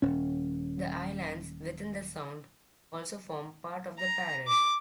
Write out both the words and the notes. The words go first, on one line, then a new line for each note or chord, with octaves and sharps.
The islands within the sound also form part of the parish.
D#1 C#4
A#5
D6